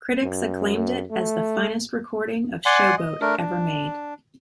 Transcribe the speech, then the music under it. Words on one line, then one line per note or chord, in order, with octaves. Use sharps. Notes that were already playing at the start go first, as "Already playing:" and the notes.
Critics acclaimed it as the finest recording of "Show Boat" ever made.
F#2
A3
D5 F#5 G#5 C6
D#5
A3 D4 A#4
D4